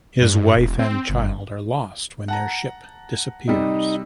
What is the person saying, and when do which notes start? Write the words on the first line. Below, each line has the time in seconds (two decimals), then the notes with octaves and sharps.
His wife and child are lost when their ship disappears.
0.21 G2
0.57 E1
0.79 C4
1.09 G1
2.28 F#5 A5 A#5
3.48 C3 G3 D#4